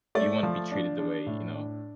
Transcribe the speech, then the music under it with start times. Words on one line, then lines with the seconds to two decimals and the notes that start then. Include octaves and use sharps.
you wanna be treated the way, you know,
0.15 A3 D5
0.43 F3
0.72 D4
0.99 D4
1.27 A2
1.54 D4